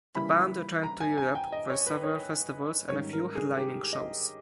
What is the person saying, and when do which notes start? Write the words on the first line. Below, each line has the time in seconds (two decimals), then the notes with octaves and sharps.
The band returned to Europe for several festivals and a few headlining shows.
0.15 C#3 E3 G3 A#3 E4 B5
0.83 A#5
1.00 G#5
1.18 G#5
1.35 G5
1.52 D#5
1.70 C#5
1.87 B4
2.03 C#5
2.89 G#2 D#3 G3 C#4 C#5
3.13 A#4
3.35 G#4
3.58 G4
3.93 D#5